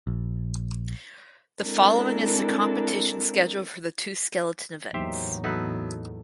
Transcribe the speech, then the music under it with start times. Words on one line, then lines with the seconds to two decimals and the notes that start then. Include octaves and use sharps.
The following is the competition schedule for the two skeleton events.
0.07 A#1
1.63 G#3 C4 D4 E4 A4 A#4
4.94 E2 A2 F#3 A#3 D#4 G4 C5 E5
5.44 F#3 B3 D#4 A4 B4 E5